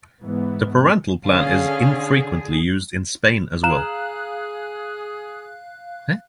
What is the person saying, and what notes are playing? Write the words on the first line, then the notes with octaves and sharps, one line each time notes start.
The parental plan is infrequently used in Spain as well.
G#2 E3 B3
D3 C#4 G#4 F5
G#4 F5 A#5 F#6 E7